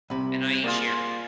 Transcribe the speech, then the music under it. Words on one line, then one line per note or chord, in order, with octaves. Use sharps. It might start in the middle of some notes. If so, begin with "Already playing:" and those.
and I ain't sharing."
C2 C3 B5
A#3 F4 G#4 D5